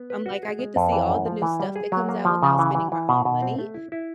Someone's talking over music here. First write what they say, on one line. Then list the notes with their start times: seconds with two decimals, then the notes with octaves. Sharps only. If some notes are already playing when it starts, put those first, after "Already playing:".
I'm, like, I get to see all the new stuff that comes out without spending my own money,
Already playing: B3
0.10 B4
0.26 F#4
0.43 G#4
0.59 G#3
0.76 F2
0.92 E3
1.09 F#2
1.26 F3
1.42 E3
1.60 G3
1.76 G#4
1.92 F#3
2.09 A#3
2.25 F3
2.43 C#3
2.59 E3
2.75 E3
2.92 E3
3.09 B2
3.25 B2
3.42 C4
3.59 A3
3.74 E4
3.92 E4